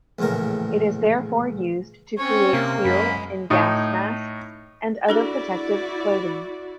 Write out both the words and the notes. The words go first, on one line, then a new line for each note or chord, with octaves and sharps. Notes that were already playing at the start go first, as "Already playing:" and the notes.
It is therefore used to create seals in gas masks and other protective clothing.
A#1 E2 A2 C#3 A#4
C4 C#4 C#5
C3 A#3
F#2 G#3 B5
A2 D#4
D4 E4 F#4 G#4 A4 D5